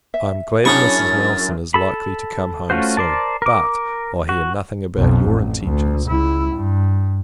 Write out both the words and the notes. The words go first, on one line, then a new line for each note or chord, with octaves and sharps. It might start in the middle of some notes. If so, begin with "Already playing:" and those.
I am glad Mrs. Nelson is likely to come home soon; but, I hear nothing about your intentions.
E5
F#2 C#4 D4 E4 G#4 B5 C#6 A6
A4 B5
A3 C#4 F4 F#4 C5
A#4 C5 D5 A5
A#4 D6
F#4
B1 F2
A1
D2
C#2 E4
G2